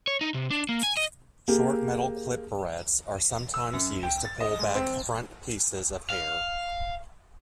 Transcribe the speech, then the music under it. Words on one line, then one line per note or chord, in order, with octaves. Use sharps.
Short metal "clip" barrettes are sometimes used to pull back front pieces of hair.
C#5
D#4
C3
D4
A#3
G#5
D#5
A#3 G4 G#4
E6
F#2
G5
A6
D#5
G#3
C4
F5